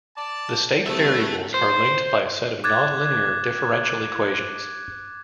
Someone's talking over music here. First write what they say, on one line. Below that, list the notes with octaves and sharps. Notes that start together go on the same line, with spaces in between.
The state variables are linked by a set of nonlinear differential equations.
D5 A5
C2 F#3 A3 A4 B4 E5
C5
D6 F#6 G#6 A6